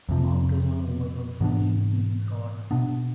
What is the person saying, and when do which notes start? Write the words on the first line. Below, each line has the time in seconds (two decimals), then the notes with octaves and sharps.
Mount Llano was also named in his honor.
0.09 F2 C3 F3
1.41 G#2 E3 B3 D4
2.71 B2 B3 D4